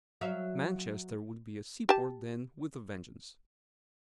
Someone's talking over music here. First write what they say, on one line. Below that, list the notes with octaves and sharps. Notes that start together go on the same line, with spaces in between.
Manchester would be a seaport then with a vengeance!
F#3 E5 F5
G4 A5